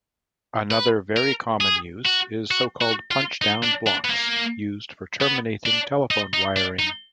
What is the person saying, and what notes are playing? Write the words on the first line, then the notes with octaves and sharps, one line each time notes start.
Another very common use is so-called punch-down blocks used for terminating telephone wiring.
B4
A#4
G#4
F#4
F#4
F#4
F4
D#4
D4
D4
B3
A#3
B3
D4
D#4
D#4
D4
D#4